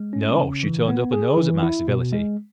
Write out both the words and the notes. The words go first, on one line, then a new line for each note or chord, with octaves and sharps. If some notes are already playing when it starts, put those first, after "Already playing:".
No, she turned up her nose at my civility.
Already playing: G#3
C#4
C#3
E3
B3
G#4
E3
E4
B2
G#3